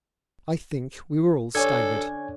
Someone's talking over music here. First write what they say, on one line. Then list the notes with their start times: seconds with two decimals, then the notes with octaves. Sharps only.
I think we were all staggered.
1.55 D3 C#4 A4 C#5 G#5 G#6